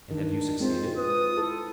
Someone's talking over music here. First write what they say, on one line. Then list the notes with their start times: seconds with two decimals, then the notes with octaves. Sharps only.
"And have you succeeded?"
0.11 D#3 D4
0.60 G#3 C4 F4 C5
0.97 B4 D#6
1.38 E4 A4